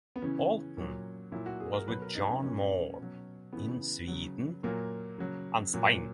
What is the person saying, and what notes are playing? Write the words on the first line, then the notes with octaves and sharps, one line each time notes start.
Alten was with John Moore in Sweden and Spain.
B3
C#3 E3 C#4
A#2 F#3
A#2 F#3 E4
F#4
G#4
A#4
B2 F#3 B4
A#4
D#4
C#4
A#2 F#3 C#4
B2 F#3
C#3 E3 B3
C#3 F#3
A#2 F#3 A#3
C#3 F#3
A#2 F#3